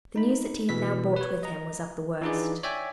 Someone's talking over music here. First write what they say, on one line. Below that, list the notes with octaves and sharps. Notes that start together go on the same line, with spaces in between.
The news that he had now brought with him was of the worst.
D#4 B5
B2 E3 B6
B4 C#5
D#5 A#5
E3 D4 D#4 F4 G#4 D5
C#5 D5 E5 G5 G#5